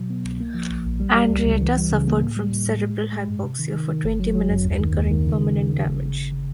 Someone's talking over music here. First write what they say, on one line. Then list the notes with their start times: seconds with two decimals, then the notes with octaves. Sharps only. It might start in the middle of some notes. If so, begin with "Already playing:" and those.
Andreatta suffered from cerebral hypoxia for twenty minutes, incurring permanent damage.
Already playing: B2 F#3
0.10 B3
0.25 C2
0.40 A#3
0.54 F3
0.70 A#1
0.86 A#1
1.00 G3
1.15 G3
1.30 C#2
1.47 C#2
1.61 E3
1.77 G3
1.92 C#3
2.08 A#3
2.22 A2
2.37 G3
2.52 A2
2.67 A2
2.83 G#3
2.98 G#3
3.13 G#3
3.28 G2
3.43 C3
3.59 D#3
3.74 D#3
3.89 D#3
4.04 G1
4.20 F#3
4.35 F#3
4.50 F#2
4.65 D#2
4.80 D#3
4.95 D#2
5.11 D#3
5.26 C#3
5.42 C#3
5.56 C#3
5.72 C#3
5.87 G1
6.02 G1
6.17 C#3
6.33 C#3